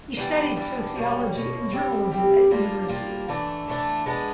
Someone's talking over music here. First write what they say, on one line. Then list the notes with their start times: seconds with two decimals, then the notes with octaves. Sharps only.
He studied Sociology and Journalism at university.
0.17 E3 G3 B3 D4
0.56 E3 G3 B3 D4
0.96 B2 G3 A#3 C#4
1.34 B2 G3 A#3 C#4
1.73 G3 C4 E4 G4
2.11 G3 C4 E4 G4
2.51 G3 A#3 D4 F4
2.89 G3 A#3 D4 F4
3.28 E3 A3 D4
3.68 E3 A3 D4
4.06 G#3 B3 D4